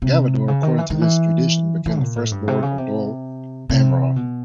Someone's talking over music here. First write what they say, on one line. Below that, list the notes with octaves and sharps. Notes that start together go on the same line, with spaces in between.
Galador, according to this tradition, became the first Lord of Dol Amroth.
C3
C#3
D#3
E3
D#3
E3
E3
A#2
A2
G2
C3
C#3
C3
C3
B2